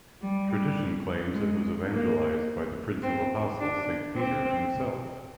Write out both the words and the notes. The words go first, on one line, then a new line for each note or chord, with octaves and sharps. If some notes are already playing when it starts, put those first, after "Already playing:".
Tradition claims it was evangelized by the Prince of Apostles Saint Peter himself.
G3
G#3
A#3
C4
D4
C4